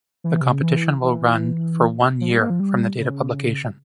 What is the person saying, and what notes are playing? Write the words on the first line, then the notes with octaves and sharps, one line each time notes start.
The competition will run for one year from the date of publication.
E3
C3
C#3
E3
E3
F3
G3
A#3
F3
G3
C#3